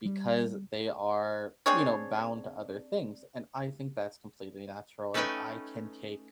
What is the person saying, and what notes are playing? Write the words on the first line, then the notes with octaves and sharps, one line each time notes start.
because they are, you know, bound to other things. And I think that's completely natural, and I can take,
G3
C4 D4 G#4 C#5
A3 C#4 D#4 B4 G5 G#5